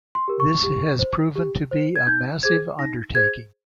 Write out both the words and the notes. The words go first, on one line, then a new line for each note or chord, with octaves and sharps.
This has proven to be a massive undertaking.
C6
G4 A#4
C#6
G4
C5
G4
C5
G#6
D#4 G6
G#4 C5 G#6
D#4 A#6
G#4 C5 G#6